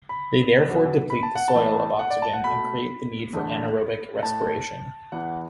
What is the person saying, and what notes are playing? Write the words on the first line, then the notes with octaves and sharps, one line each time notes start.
They therefore deplete the soil of oxygen and create the need for anaerobic respiration.
B5
E2 B2 F#3 B3
B5
A5
F#5
A5
A2 E3 A3
F#5
D5
A5
F#5
B2 A3 B5
E2 D3 A3
A2 A3 A5
E2 E3 B3 F#5